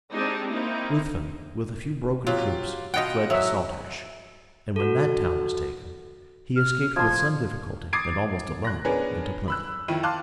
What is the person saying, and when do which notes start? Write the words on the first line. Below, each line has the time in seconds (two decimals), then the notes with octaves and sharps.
Ruthven, with a few broken troops, fled to Saltash; and when that town was taken, he escaped with some difficulty, and almost alone, into Plymouth.
0.12 G#3 C4 D4 D#4 G4 G#4
0.51 A#3 C4 D#4 E4
2.27 F#3 F4 G4
2.94 B2 F4 D#5 F#5 G5
3.30 F#3 E5
4.76 F#4 A4
6.56 F6
6.96 F3 C6 G#6
7.93 D6 D#6 G#6 A6 C7 D7
8.65 F#6 A#6
8.85 B3 C#4 D4 G#4 A#4 B4
9.48 B5 E6 F#6
9.88 F2 D#3 E4 D#7
10.03 F5 A5 C6 D6 F6 F#6